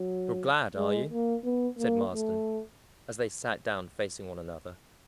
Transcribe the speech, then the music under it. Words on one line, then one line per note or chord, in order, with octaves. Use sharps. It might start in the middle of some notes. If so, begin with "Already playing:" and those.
"You're glad, are you?" said Marsden, as they sat down facing one another.
Already playing: F#3
G#3
A#3
B3
A#3
A3